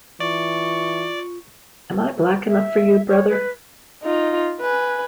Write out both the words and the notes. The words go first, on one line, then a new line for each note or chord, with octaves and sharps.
Am I black enough for you, brother?
E3 F4 D5 C#6
E5
C#5
B4
D#4 F4
B4 G#5